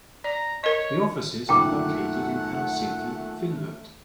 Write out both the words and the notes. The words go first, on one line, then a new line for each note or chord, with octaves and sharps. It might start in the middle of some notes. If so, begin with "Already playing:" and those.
The offices are located in Helsinki, Finland.
D5 A#5
A#4 C#5 D#5
F#2 A#2 D#3 A3 F#5 G5 A#5 D6